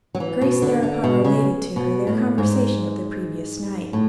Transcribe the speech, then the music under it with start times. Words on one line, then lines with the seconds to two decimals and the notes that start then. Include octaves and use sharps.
Grace thereupon related to her their conversation of the previous night.
0.15 F#3
0.20 E3
0.41 B2
0.62 D3
0.82 D3
1.04 B2
1.24 C#3
1.76 B2
2.07 A2
2.38 G#2
3.93 A2